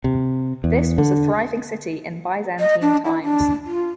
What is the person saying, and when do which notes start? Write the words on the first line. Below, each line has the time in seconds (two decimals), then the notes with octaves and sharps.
This was a thriving city in Byzantine times.
0.04 C3
0.64 E2
0.98 D3
2.60 D#5
2.82 D4
3.05 E4
3.22 D4
3.65 F4